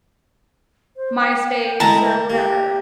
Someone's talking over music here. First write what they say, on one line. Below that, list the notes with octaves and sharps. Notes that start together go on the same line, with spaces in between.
MySpace or whatever.
C5
G5
G#3 A3 E4 A5 A#5
A#3 G4